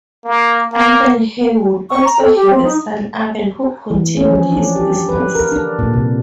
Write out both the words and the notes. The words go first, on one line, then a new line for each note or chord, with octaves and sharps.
Abel Heywood also had a son Abel who continued his business.
A#3
A#3
C#6
A#5
A4
G4
C4
D#4
E3
C#4
F3
D4
G4
B4
A#4
D4
A#2
C3